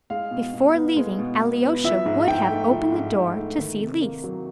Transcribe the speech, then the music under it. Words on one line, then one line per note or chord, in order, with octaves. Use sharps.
Before leaving, Alyosha would have opened the door to see Lise.
G#3 F5
B2
B2
B3
G#3
B2
B2
B3
F3 E5
G#2
G#2 G5
A3
F3
G#2
G#2
A3
D#3
C3
A#3
F#3